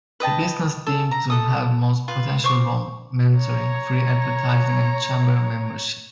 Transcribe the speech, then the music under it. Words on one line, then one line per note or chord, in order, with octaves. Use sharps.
The businesses deemed to have most potential won mentoring, free advertising and chamber membership.
B4 D#5 G5 A5
A4
A#5
A4 D#6
F4 B4
C5 C#6 D6
C#5 A#5